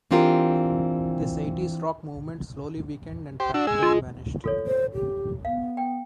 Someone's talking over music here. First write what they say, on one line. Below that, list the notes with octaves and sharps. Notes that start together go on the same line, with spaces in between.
This eighties rock movement slowly weakened and practically vanished.
E3 C4 D4 F4 G4 A#4
G4 C5
D4 F#4 E6
G#3 G#5 E6
F4
F4 A4 C#5
C5
G4
B3 F5
G5